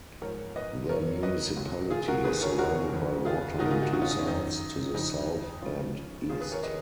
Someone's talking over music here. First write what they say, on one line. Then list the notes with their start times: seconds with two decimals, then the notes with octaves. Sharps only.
The municipality is surrounded by water on two sides, to the south and east.
0.22 G#2 F3 A#4 C#5
0.56 B4 D#5
0.89 F#2 F3 A#4 C#5
1.23 B4 D#5
1.56 C#2 B2
1.90 F4 G#4
2.08 F#4 A#4
2.24 D#2 D#3 G#4 B4
2.41 A#4 C#5
2.58 F#4 A#4
2.93 F2 D#3
3.25 F4 G#4
3.59 G#2 D#3 D#4 F#4
3.66 A#4
3.70 F4 G#4
3.82 D#4 F#4
3.93 D#4 F#4
4.02 C#4 F4
4.10 D#4
4.19 C#4
4.26 F#2 D#3 D#4
4.94 F2 F3 D#4
5.62 C#2 C#3 F3 C#4 F4
6.29 D#2 D#3 F4 G#4
6.41 G#4 B4
6.52 A#4 C#5
6.63 B4 D#5